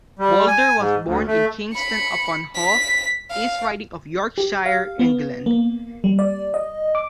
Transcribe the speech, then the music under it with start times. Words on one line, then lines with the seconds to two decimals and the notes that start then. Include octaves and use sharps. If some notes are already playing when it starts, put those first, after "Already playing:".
Bolder was born in Kingston upon Hull, East Riding of Yorkshire, England.
0.19 G3
0.48 G#5
0.78 G#2
1.05 D2
1.28 A3
1.74 B5 C#7
2.55 B6
3.31 F5
4.38 G4
4.66 F5
4.99 B3
5.46 A#3
6.04 G3
6.19 D5
6.54 D#5
6.95 D6